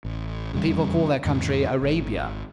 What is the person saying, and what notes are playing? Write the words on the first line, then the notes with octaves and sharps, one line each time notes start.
The people call their country Arabia.
A1
F1 E2 C#3 G3
E2 G#2 D#3 G#3
G#1